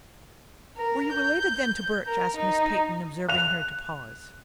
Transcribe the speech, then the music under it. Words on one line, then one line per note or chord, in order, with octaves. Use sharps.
"Were you related, then, to Birch?" asked Miss Peyton, observing her to pause.
A#4
G6
A#4
D#4
F#6 F7